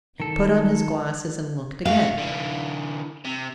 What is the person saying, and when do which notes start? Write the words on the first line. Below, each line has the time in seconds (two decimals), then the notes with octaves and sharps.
He put on his glasses and looked again.
0.20 D#3 A4
1.86 C#3 F#4 F5
2.18 D3 E3
3.25 C3